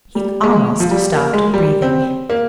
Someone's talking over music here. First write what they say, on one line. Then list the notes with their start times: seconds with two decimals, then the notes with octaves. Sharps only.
He almost stopped breathing.
0.15 G3
0.43 G#3
0.80 F3
0.91 G3
1.12 A#3
1.33 G#3
1.54 G3
1.82 C4
2.30 A#3